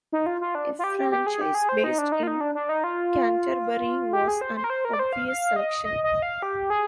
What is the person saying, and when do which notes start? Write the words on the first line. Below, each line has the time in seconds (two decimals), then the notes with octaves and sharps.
A franchise based in Canterbury was an obvious selection.
0.12 D#4
0.26 F4
0.41 F4
0.55 D4
0.79 F4
0.84 G4
0.98 G4
1.12 G4
1.27 G#4
1.41 G4
1.55 G#4
1.69 C5
1.84 D#4
1.98 D4
2.12 D#4
2.23 F4
2.27 D#4
2.41 D4
2.55 D4
2.69 D#4
2.84 F4
4.13 G4
4.28 G#4
4.41 C5
4.57 C5
4.64 A#4
4.70 C5
4.85 A#4
4.93 D5
4.99 C5
5.13 F5
5.28 F5
5.56 D#5
5.84 D#5
6.04 D#5
6.22 F5
6.42 G4
6.70 G#4